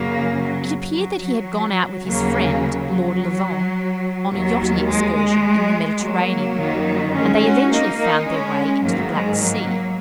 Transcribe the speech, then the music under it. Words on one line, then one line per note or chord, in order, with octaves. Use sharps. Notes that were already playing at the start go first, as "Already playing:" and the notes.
It appeared that he had gone out with his friend, Lord Levant, on a yachting excursion in the Mediterranean, and they eventually found their way into the Black Sea.
Already playing: F#2 C#3 F#3 A#3
F#3
F#3
F#3
D#2 C#3 F#3 A#3
F#3
D#2 D#3 F#3
G#3
G#3
F#3 A#3
F#2 D#3
G#3 C#4
C#4 F#4
A#3 D#4
A#3 D#4
G#3 C#4
G#2 D#3 F#3 A#3
G#3
F#3 A#3